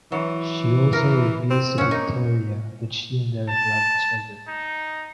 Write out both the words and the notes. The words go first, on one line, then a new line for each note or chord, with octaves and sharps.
She also reveals to Victoria that she and Derek love each other.
E3 F#3
A#4
C4
C#4 F#5
A#3 D#4
A5
D#4